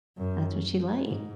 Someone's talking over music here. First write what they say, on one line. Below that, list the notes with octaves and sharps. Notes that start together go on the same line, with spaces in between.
that's what she likes.
F#2
G#2